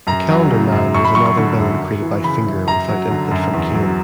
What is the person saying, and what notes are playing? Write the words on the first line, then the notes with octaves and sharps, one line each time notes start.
The Calendar Man was another villain created by Finger without input from Kane.
F#2 A#5
F#3
C#3
F#2
F#2 C#6
B5
F#3 C#6
C#6
D3 C#6
F#2
F#2
E3
C#3 B5
F#2
F#2 A#5
F#3
D3
F#2
E2
F#3